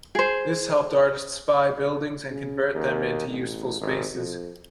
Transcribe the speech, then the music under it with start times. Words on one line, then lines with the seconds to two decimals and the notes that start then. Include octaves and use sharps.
This helped artists buy buildings and convert them into useful spaces.
0.15 G#4 C5
2.30 C#3
2.74 D#2
3.28 A1
3.81 G#1
4.14 F2